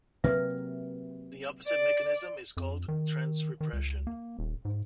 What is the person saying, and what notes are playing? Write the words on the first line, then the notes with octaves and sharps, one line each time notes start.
The opposite mechanism is called transrepression.
C3 F#3 A#3 B4 E5
D5
F2
D#3
D#3
C#2
A#3
D#1
G#2